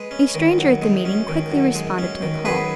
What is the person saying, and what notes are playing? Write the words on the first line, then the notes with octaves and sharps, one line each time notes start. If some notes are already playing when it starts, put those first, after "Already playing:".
A stranger at the meeting quickly responded to the call.
Already playing: G#3 B4
C#4
D#3
F#2
G#3
C#4
D#3
F#2
G#3
C#4
D#3
F#2 G#4 B4